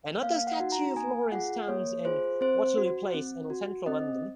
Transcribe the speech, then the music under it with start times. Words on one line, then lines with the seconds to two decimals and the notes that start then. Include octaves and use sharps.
Another statue of Lawrence stands in Waterloo Place in central London.
0.23 A#3 F5
0.47 F#5
0.60 D#4 F#4
0.72 A#5
0.96 A#3 G#5
1.32 F4 G#4 F#5
1.68 A#3 C#5
2.05 F4 G#4 C5
2.41 C4 C5
2.77 F#4
3.14 C4
3.50 F#4
3.86 C4 D#5